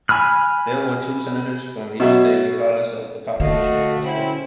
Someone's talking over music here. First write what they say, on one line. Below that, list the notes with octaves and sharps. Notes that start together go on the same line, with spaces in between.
There were two senators from each state regardless of the population of the state.
G#5 B5 F6 F#6
B2 F#3 E5
D3 A3 F#4 D#5 F5
C4 C#4 E4